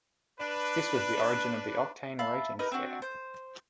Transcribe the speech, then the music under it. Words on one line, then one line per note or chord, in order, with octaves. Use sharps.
This was the origin of the octane rating scale.
D4 B4
E5 F5 A5 B5
D#4 G4 A#4 B4
C4 D4 F#4
C5